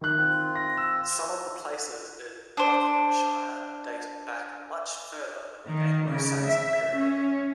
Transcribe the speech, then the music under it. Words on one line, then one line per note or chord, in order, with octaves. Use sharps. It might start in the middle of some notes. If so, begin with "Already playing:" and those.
Some of the places in Buckinghamshire date back much further than the Anglo-Saxon period.
D#3 E4 F#6
C4 F4
A#6
E6
D4 C5
D#3
C#3
E5
C#4